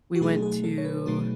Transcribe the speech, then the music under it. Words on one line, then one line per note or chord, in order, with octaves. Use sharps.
we went to,
F#4
B2 F#3 A3 D#4 G#4
G#4
A4
C#5
B4
B2 F#3 A3 D#4